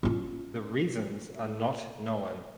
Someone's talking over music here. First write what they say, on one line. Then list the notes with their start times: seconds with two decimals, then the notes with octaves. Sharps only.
The reasons are not known.
0.03 C#4 F4